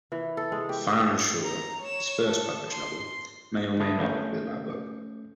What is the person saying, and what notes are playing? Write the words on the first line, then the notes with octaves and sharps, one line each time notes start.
"Fanshawe", his first published novel, may or may not have been that book.
E3
A4
G#3
G4
A4
A#5
C#5 E7
A4
C6
D3 E5 A5 B5 D#6 G#6
A3 C#4 G6